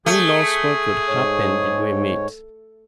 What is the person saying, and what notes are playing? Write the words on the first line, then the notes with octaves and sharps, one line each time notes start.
Who knows what would happen did we meet.
A3 G#4
G#2 C#5